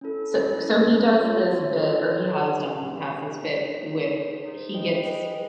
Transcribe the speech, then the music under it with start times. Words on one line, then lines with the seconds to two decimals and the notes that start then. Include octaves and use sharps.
So so he does this bit or he has done, in the past, this bit with he gets
0.01 C#4 E4 A4
0.31 C#4 E4 A4
0.61 C#4 E4 A4
0.90 C#4 E4 A4
1.19 F4 A4 C#5
1.49 F4 A4 C#5
1.78 F4 A4 C#5
2.08 F4 A4 C#5
2.37 G4 B4 E5
2.67 G4 B4 E5
2.96 G4 B4 E5
3.26 G4 B4 E5
3.55 D#4 G#4 C5
3.85 D#4 G#4 C5
4.14 D#4 G#4 C5
4.43 D#4 G#4 C5
4.73 G#4 B4 D#5 G5
5.03 G#4 B4 D#5 G5
5.32 G#4 B4